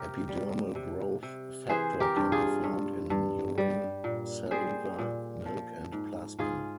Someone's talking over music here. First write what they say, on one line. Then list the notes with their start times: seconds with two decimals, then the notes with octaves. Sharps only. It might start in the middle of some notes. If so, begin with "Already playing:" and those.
Epidermal growth factor can be found in urine, saliva, milk, and plasma.
Already playing: C3 G4 A#4
0.29 G3
0.75 C3
1.23 C3
1.69 E3 G#4 C5
2.00 G4 A#4
2.16 G2
2.32 F4 G#4
2.64 G2
3.10 G2
3.58 G3
4.04 A#2
4.51 G3 G#4 C5
4.99 A#2
5.45 F3
5.92 G#2
6.39 G#2 F4 G#4